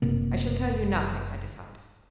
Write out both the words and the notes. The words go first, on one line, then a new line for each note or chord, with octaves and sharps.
"I shall tell you nothing," I decided.
F#1 C3 A#3